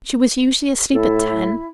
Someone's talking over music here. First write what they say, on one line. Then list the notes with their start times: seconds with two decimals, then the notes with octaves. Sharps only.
She was usually asleep at ten.
0.94 A2 E4 A4